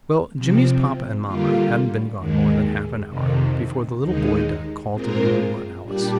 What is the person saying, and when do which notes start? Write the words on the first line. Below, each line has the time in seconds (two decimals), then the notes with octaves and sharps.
Well, Jimmie's papa and mamma hadn't been gone more than half an hour before the little boy duck called to Lulu and Alice.
0.34 C3 F3 C4
1.25 D3 G3 A#3 F4
2.17 D#2 D#3 G#3
3.08 F2 C3 D#3
4.00 D#2 D#3 G#3 D#4
4.91 A#2 G#3 C4 F4 A#4
5.83 A#2 G3 D4 G4